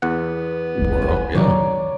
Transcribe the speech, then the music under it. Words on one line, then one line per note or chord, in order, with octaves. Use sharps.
Worl Yeah.
E2 B3 F#5
F1 C2
G#5
D#3 F#3 C#5 D5 A#5